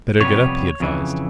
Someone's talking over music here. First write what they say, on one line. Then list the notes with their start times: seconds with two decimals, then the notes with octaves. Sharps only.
"Better get up," he advised.
0.20 F2 C3 G3 B3 C#5
0.80 F2 C#3 E3